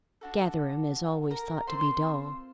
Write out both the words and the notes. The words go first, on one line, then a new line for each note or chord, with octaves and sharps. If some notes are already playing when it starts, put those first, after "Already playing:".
"Gatherum is always thought to be dull."
D4 F#4 A4
A#4 A#5
C4 F4 A4 C5 C6